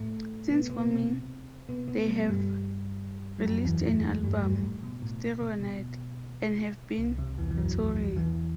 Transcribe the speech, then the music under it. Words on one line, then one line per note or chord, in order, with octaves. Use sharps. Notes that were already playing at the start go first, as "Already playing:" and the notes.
Since forming they have released an album, "Stereo Night", and have been touring.
Already playing: A2 A3
B2 B3
B2 B3
C3 C4
B2 B3
B2 B3
G3
A3
G2 G3
G3
F#2 F#3
E2 E3
A2 A3
G2 G3
G2 G3
A2
B2
A2
B2
B2
C2 C3
C2 C3
E2 E3
E3
F#2 F#3
E2 E3